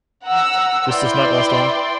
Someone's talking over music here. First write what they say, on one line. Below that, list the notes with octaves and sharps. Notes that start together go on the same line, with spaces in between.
This does not last long.
F#5 A#5 E6
E4 B4 D5 G5 C6